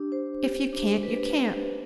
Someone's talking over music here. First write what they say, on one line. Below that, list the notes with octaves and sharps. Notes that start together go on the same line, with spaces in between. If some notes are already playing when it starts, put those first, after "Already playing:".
If you can't, you can't.
Already playing: D4 G4
C5
G4
D4
B4